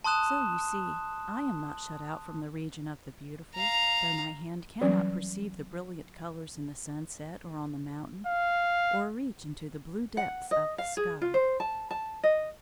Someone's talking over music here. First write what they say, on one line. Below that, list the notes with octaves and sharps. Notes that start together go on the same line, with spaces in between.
So you see I am not shut out from the region of the beautiful, though my hand cannot perceive the brilliant colours in the sunset or on the mountain, or reach into the blue depths of the sky.
A5 C6 D#6 F#6 E7
F5 A#5
E3 F#3 G3 C#4
F5
F#5
D#5
F5
G#4
F4
C5
A5
A5
D#5